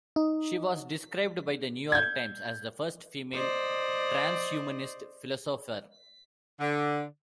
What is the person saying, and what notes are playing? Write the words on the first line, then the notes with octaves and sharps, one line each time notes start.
She was described by the "New York Times" as "the first female transhumanist philosopher".
D#4
G6 G#6
C5 D5 D#5
D3